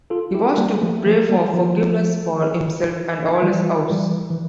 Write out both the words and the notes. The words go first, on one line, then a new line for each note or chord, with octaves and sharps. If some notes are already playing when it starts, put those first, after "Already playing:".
He was to pray for forgiveness for himself and all his house.
F4 A4
E4 G4
G3 A#3
F3 A3
F3 A3
G3 A#3
F3
E3 G3
E3 G3
E3